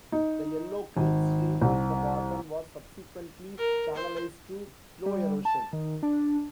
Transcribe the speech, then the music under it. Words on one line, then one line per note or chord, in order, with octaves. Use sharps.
The Yellow Creek stream at the bottom was subsequently channelized to slow erosion.
D#4
G#1
C2
A#4
C5
G3
A5
D#3
D4